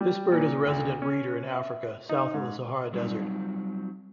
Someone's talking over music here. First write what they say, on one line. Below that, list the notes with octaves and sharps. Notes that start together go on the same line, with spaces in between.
This bird is a resident breeder in Africa south of the Sahara Desert.
G3
A#2
D2
C#4
E5
D#4
G#2
F#3 G3 C4 D#4 F4